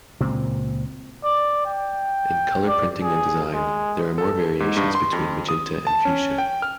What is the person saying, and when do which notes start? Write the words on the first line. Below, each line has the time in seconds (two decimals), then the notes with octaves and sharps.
In color printing and design, there are more variations between magenta and fuchsia.
0.20 C#2 A#2 C4
1.24 D5
1.66 G5
2.68 D5
3.02 G#4
3.53 G#3
4.18 A4
4.60 G#2
4.77 G2
4.95 C6
5.13 F2
5.49 D#6
5.87 A5
6.05 C#4
6.38 G5
6.62 F6